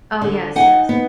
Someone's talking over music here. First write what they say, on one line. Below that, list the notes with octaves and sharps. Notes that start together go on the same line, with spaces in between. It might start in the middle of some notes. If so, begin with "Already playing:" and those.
Oh, yes, yes.
D3
D#4 F#5 G#5
B3